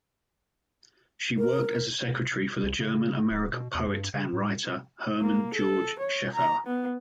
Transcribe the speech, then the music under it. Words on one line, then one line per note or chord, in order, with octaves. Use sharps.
She worked as a secretary for the German-American poet and writer, Herman George Scheffauer.
A#4
C2
C#3
D1
B2
E2
G2
C#3
A2
A#3
A4
C#5
A#5
B3